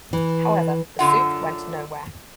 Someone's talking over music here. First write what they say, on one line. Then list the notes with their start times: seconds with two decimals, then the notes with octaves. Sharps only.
However, the suit went nowhere.
0.13 E3
0.99 F#2 D3 F4 F#5